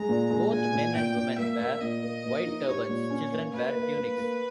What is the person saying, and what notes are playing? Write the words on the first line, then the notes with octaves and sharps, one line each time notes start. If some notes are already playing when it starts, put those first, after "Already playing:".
Both men and women wear white turbans; children wear tunics.
Already playing: G#3 A#5
A#2
G#3
A#2 G#5
A#2
A#2 G5
A#2
A#3 E5
A#3
A#2 D#5
A#3
A#3
D#4
G4 C#5
A#2
C#4
A#3
A#3 B4
A#3
A#3
A#3